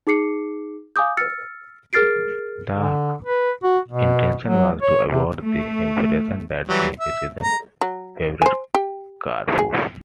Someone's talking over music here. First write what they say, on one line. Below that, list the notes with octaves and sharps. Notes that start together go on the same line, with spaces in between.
The intention was to avoid the impression that the decision favoured Karpov.
D#4 G#4 D6 C7 C#7
F5 G#5 D6 D#6 G6
E6 F6 A6 C#7
G#4 A#4 F6 A6 C7 D7
D3
B4
F#4
B2
F#3
C#5
C3
A3
E3 F#3 G3
E5
A#5
F#3
C5 G#5
G4
G#4